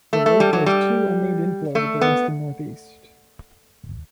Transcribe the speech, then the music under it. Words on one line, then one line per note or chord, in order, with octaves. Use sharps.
The lake has two unnamed inflows at the west and northeast.
A3
A3
G3
F#3
G3
A3
B3